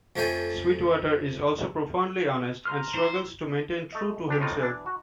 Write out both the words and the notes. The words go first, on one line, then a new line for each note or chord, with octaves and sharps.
Sweetwater is also profoundly honest and struggles to maintain true to himself.
F2 F3 A3 C#5 G5 G#5
A#5 C6 F6
E4 C5 D6
A3 D#5
D2 D4 G4
A2 C4 D#4 F4
E3 D4
F#4